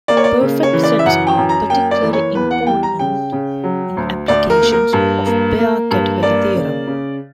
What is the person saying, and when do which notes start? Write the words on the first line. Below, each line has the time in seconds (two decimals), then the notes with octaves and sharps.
Perfect sets are particularly important in applications of the Baire category theorem.
0.08 A#3 D5
0.17 C#5
0.24 D5
0.41 C#3
0.63 C#5
0.73 E3
0.83 D5
0.99 E5
1.05 F#2 F#5
1.27 G5
1.37 F#2
1.49 A#5
1.70 A#3 G5
1.91 D5
2.03 E3
2.13 C#5
2.34 E2 B4
2.51 F#5
2.67 G3 G5
2.83 A#5
2.99 C#3 G5
3.32 C#3
3.64 F#3
3.97 D2
4.28 D2 D5
4.50 A#4
4.62 A#3
4.72 A#4
4.93 G2
5.26 A#3
5.59 A#3
5.91 G2
6.23 A#3 D5
6.55 C#3
6.87 C#3